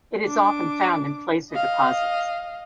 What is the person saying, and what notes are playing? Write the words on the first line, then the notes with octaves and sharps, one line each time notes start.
It is often found in placer deposits.
D4 D6
D#5 F5